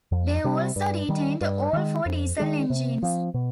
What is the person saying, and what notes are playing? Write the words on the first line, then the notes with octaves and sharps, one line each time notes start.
They also retained all four diesel engines.
F2
C3 G3 C4
G2
D#3 G3
G2
D#3 G#3
F2
D#3 G#3 D4
C3
F3 C4
B2